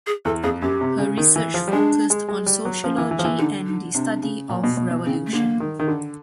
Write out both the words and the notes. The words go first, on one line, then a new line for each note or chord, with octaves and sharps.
Her research focused on sociology and the study of revolution.
G#4
E2 A4
F2 G#4
F#2 G4
C3
C#3
D#3
E3
F3
G3
G#3 D4
G#3
G#3
G3
F#3
F3 C#4
E3
E3
F3
E3
D3 D#4
D#4
C3 D4
C#3
A#2
B2
B2
B2
C#3 C4
A3
D3 A#3
D#3
D#3
D3